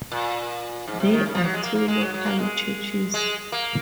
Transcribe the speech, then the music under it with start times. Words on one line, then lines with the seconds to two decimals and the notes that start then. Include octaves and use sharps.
There are two local churches.
0.12 A#2
0.88 G#2
1.00 C3
1.13 D#3
1.26 C#3
1.35 F3
1.44 F#3
1.54 G#3
1.63 A#3
1.75 A#3
1.88 G#3
2.01 F#3
2.14 F#3
2.26 A#3
2.39 G#3
3.14 G#3
3.52 A#3